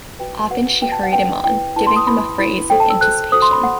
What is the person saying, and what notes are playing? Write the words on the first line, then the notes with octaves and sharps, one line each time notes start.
Often she hurried him on, giving him a phrase in anticipation.
F#4 B4 G5
F#4 B4 F#5
F#4 B4 G5
A5
F#5
F#4 B4 G5
E4 B4 G5
E4 B4 A5
C6
D#6
E4 B4 B5
E4 B4 B5
F#4 A4 C5 G5
A5
E6
F#4 A4 C5 F#6
F#4 A4 C5 D#6
C6
B5
C5 F#5